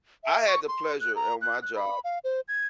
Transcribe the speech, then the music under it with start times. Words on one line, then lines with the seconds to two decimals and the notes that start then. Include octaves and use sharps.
I had the pleasure at my job
0.24 E5
0.47 C#6
0.68 C6
1.01 F#6
1.16 A#5
1.42 F#6
1.62 F#6
1.76 B5
2.04 F5
2.24 C5
2.48 G#6